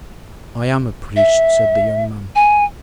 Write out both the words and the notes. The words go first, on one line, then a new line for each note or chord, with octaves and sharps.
"I am a priest," said the young man.
E5
G#5